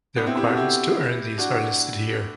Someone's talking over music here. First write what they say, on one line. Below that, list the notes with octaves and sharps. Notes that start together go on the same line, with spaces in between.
The requirements to earn these are listed here.
B3 D4
C4 E4
E4 G4
F#4 A4
E4 G4
D4 F#4